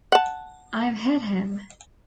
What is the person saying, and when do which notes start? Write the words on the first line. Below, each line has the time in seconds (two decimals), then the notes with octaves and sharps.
I've hit him.
0.12 F#5 A5